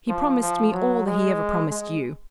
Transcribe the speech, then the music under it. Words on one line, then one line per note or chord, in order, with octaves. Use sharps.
He promised me all that he ever promised you.
F3
F3
F#3
G#3
G#3